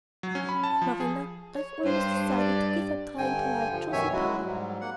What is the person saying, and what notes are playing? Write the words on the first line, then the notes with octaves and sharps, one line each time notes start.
Marilla, I've almost decided to give up trying to like Josie Pye.
F#3
C#4
B5
A5
F3
G#4
C#5
G2 C5
D5
G2 D3 G5 G#5
D3 F3
F#2 B2 D#3 C#5 E5 G#5
F#3 G#3 E4 F#4
G#2 F#3 G3
A#3 F#5